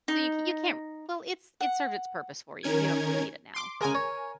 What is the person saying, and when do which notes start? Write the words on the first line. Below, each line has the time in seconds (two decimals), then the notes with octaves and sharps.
So you ca you can't well, it's it's served its purpose for you. You don't really need it now.
0.08 D#4
1.61 F#5
2.63 D#3 C#4 A#4 G#6
3.54 C6 D6
3.81 C#3 G#3 A#4 G#5
3.95 C#5